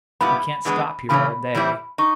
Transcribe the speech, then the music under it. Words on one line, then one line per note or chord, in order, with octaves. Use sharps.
We can't stop here all day.
A#2 G3 B3 E4 B5
E3 G#3 B3 D4
C#3 E3 A3 C#4 B5
E3 G3 C4 E4
D#4 C#6